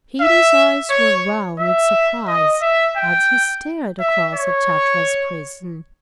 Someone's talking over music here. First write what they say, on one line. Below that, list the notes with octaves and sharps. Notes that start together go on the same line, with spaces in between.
Peter's eyes were round with surprise, as he stared across at Chatterer's prison.
E5
C#5
E5
D#5
E5
G5
E5
C#5